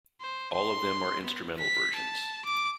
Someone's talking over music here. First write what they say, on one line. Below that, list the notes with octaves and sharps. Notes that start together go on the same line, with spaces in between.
All of them are instrumental versions.
C5
C6
B3
B6
A5
D6